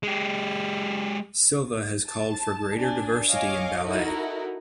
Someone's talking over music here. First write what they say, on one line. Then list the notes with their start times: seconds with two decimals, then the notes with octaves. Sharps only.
Silva has called for greater diversity in ballet.
0.03 G#3 G4
2.05 A5
2.78 D4 G#5
3.30 C#5 D#5 F5 G#5 C#6 D6
3.82 D#4 E4 F#4 A4 A#4